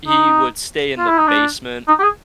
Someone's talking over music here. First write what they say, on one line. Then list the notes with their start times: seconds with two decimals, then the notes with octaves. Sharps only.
he would stay in the basement
0.08 D#4
0.98 F4
1.08 E4
1.18 D#4
1.28 D4
1.88 D#4
1.99 G4
2.03 G#4